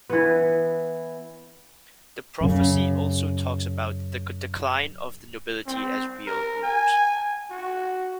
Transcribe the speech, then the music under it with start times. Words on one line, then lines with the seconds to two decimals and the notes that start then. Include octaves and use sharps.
The prophecy also talks about the decline of the nobility as real rulers.
0.10 E3 B3
2.41 F#2 C#3
5.67 C4
6.27 A#4
6.63 G#5
7.51 F#4